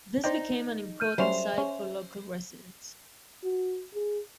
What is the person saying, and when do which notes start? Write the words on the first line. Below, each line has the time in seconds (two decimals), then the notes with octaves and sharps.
This became an important site for local residents.
0.24 D#4 C5 D5 G5
1.00 F6 G6 D#7
1.18 F#3 G3 C#4 C5 E5 F7
1.58 C#4
3.44 F#4
3.95 G#4